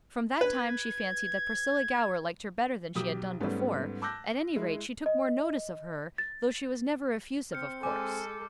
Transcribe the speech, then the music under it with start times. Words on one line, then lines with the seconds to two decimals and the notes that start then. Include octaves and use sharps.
From that time she fancied that Priscilla Gower liked her better than she had done before; at any rate, she took more notice of her, though she was never effusive, of course.
0.41 B4 G#6
2.95 B1 G4 D#6
3.40 G#2 G3 A3 B3 C#4
4.02 A5 D6 E6 F#6 G6 A#6
4.56 G#3 E4
5.06 D#5
6.18 A6
7.53 C4 F6 G6 C#7
7.83 G#3 A4 G#5 D6